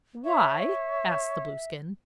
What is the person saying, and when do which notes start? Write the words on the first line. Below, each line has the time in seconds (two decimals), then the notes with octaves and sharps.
"Why?" asked the Blueskin.
0.25 C#5 E5